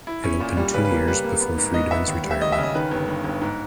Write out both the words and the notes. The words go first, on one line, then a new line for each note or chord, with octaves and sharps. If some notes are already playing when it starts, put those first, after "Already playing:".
It opened two years before Friedman's retirement.
E4
C#4
A#2
G3
C#3 B4
B4
A#3
G3 B4
A#3
B3
G#2
G#2 D#5
B3 E5
D#2
G3
E5
D#2 D#5
E5
C#3
D#5
D#3 B4
G1
G2
G1
G#2